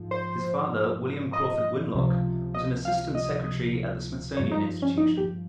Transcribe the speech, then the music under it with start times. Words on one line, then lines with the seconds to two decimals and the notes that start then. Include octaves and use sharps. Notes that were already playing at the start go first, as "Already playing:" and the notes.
His father, William Crawford Winlock, was an assistant secretary at the Smithsonian Institution.
Already playing: G#2 F3
0.11 C5
1.33 D#5
1.94 C#2 C3 F3
2.54 D#5
2.85 F5
3.15 D#5
4.37 G2 F3 C#5
4.51 D#4
4.82 C#4
4.98 D#4
5.17 G4